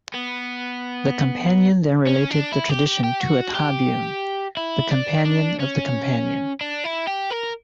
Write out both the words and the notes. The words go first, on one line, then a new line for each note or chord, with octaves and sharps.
The companion then related the tradition to a Tabi'un, the companion of the companion.
B3
C#4
D4
E4
G4
G4
G4
F#4
G4
E4
D4
D4
C#4
D4
E4
G4
A#4